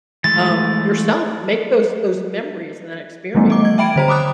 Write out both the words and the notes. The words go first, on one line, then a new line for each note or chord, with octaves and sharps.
um, yourself. Make those those memories and that experience, you know?
E3 G#3 A3 A6
E3 F3 G3 A3 B3
D#5 D6
G#6
E5 G5 B5 D7
D3 C5 A#5
B5 D6 D#6 F#6